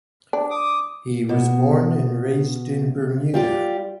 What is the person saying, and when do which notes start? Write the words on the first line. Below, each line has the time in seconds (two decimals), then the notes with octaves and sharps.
He was born and raised in Bermuda.
0.33 D4
0.50 D6 D#6
1.29 B2
3.34 G3 F4 G4